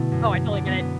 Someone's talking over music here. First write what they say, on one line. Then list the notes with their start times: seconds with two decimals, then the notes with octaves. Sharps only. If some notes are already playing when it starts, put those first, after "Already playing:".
Oh, I totally get it.
Already playing: B2 D3 A3 B3 E4
0.11 F#2
0.32 F#3
0.52 B2 D4
0.66 B3
0.73 F#3
0.80 B3